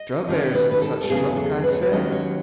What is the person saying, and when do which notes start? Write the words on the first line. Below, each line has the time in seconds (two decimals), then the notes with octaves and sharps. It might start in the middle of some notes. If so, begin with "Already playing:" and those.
"Strawberries and such truck," I says.
Already playing: D#5
0.28 D#2 D#3 A3 C#4
0.55 B4
0.71 B4
0.82 A4
1.04 A4
1.10 E2 C#3 F#3 A3 C#4 G#4
1.36 A4
1.64 B4
1.73 C#5
1.82 B4
1.92 D#2 D#3 F#3 C#4 D#5
2.12 C#5